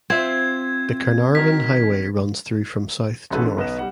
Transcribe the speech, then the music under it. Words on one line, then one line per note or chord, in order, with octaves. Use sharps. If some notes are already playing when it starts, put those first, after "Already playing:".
The Carnarvon Highway runs through from south to north.
C4 F4 C5 E5 G#6
D#3 F#3 A#4 B6
A1 G#2 F#4 G#4 A4 B4
D3
B1 B3 D#5 E7
G3 F#5